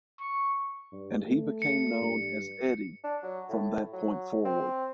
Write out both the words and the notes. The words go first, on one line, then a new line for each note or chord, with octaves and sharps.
And he became known as Eddy from that point forward.
C#6
G2
A3
C#7
G2
D4
F#3
A2
F#3
C4